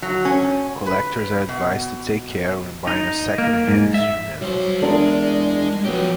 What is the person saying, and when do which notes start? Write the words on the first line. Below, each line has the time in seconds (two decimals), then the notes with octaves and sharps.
Collectors are advised to take care when buying a second-hand instrument.
0.02 F#3
0.25 C#4
0.86 B4
1.49 B2
2.87 D#4
3.38 A#3
3.68 G#2
3.94 E5
4.41 F#3 G3 C5
4.82 E2 G#3 D4 A#4
5.85 F3 F#3 B3 G4